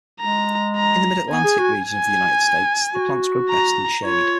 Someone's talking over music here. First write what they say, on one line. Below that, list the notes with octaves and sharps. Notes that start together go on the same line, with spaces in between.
In the Mid-Atlantic region of the United States, the plants grow best in shade.
G#3 A#5
A#5
B3 G#5
G#4
F#4
G#5
F#4
A#5
F4 C#5